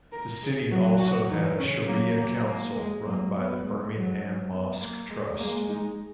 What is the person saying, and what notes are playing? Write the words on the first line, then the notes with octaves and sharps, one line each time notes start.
The city also has a Shariah Council run by the Birmingham Mosque Trust.
A#4
G#4
F#3 F#4
F#4
E3 D#4
C#3 C#4
F#3 A#3
A#3
A#3
G#3
F#3 A#3
B3
G#3
F#3
C#4
B3
A#3
G#3
G#3 A#3
D#4